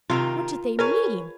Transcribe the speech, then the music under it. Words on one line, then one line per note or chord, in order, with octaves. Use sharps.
What did they mean?
C3 D#3 F4 A#4
G#4 A#4 B4 C#5